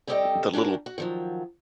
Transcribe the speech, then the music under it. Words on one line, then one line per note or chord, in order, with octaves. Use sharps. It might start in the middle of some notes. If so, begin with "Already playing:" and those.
the little
G3 C4 G4 A4 D#5 G5
C#4 D4 F#4 G4 A#4
F#4
D#3 F3 F#3